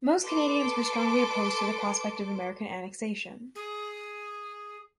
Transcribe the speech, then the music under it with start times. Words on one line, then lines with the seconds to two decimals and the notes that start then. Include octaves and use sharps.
Most Canadians were strongly opposed to the prospect of American annexation.
0.21 A4 B4 A5 C6 D6 D7
3.55 G#4